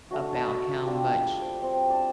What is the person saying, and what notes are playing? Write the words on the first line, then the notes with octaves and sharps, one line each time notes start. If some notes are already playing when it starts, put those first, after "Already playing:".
about how much
A3 D4 F#4
D#5 A5 B5 C#6
G3 D4 F4 G4
C5 D6
C4
D5 A5